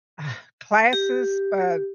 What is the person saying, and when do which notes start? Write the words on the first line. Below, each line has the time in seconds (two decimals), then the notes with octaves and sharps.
ugh, classes, but
0.93 G4